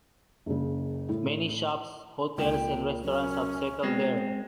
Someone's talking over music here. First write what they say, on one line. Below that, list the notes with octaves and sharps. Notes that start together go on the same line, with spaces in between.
Many shops, hotels and restaurants have settled there.
F#1 C#3
A2
C#2 A#2 G5
F#2 C#4
B2 G#3 C4